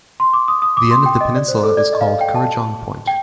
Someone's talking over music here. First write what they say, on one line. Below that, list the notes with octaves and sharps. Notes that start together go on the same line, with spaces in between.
The end of the peninsula is called Kurrajong Point.
C6
D6
D#6
D#6
D6
C6
G5
D#5
D5
C5
A4
D5
D#5
F5
D#5
G5
A5
G5